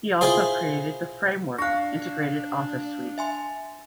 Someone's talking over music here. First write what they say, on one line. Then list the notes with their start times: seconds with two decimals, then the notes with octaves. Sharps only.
He also created the Framework integrated office suite.
0.21 E4 F4 G#4 C5
1.58 D4 F5 C#6 F#6 A#6
3.18 E5 G#5 C6